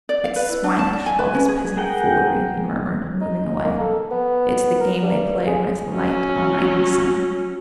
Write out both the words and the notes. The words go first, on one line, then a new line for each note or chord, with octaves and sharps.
"It's swinish, all this peasant foolery," he murmured, moving away; "it's the game they play when it's light all night in summer."
D5
F5
B4
E4
D4
A5
D5
G#5
B4
C#4
G#4
G#4 A#4 F#5 G5
D#4
A#3
A4
B3
A#4
G2
G#4
F#3 C#4